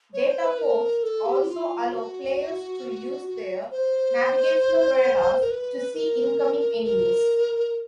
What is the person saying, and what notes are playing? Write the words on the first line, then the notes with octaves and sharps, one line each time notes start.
Data posts also allow players to use their navigational radars to see incoming enemies.
C#5
C5
B4
A#4
A4
G4
E4
F4
F#4
F#4
C5
A#4
B4
A#4
A#4